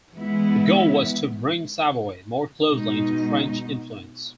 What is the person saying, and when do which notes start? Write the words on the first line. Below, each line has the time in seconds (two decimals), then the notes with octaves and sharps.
The goal was to bring Savoy more closely into French influence.
0.13 E3 G#3 B3 E4
2.69 B2 G#3 D#4